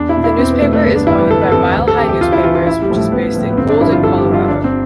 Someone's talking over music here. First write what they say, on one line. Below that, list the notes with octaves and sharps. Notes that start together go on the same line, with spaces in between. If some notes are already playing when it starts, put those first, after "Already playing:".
The newspaper is owned by Mile High Newspapers, which is based in Golden, Colorado.
Already playing: E2 D4
E4
B2
E4
E2 C4
B3
B2 A3
A3
G1 B3
D4
F2 E3 E4
B4
G1 A4
B4
F2 E3 A4
D2
A4
C3 E3 G4
G4
D2 F4
E4
C3 E3 F4
F4
A1 E4
G3
A2 F3
A3
A1 B3
A2 F3
B3
G1 C4
D4
G2 D3 F3 E4
F4
G1 A4
G4
G2 D3 F3
F4
G1 D4
C4